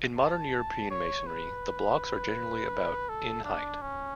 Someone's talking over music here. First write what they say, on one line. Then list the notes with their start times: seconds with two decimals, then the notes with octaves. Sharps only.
In modern European masonry the blocks are generally about in height.
0.17 A5
0.90 C#5
1.27 B4
3.09 A4
3.44 D4
3.81 C#4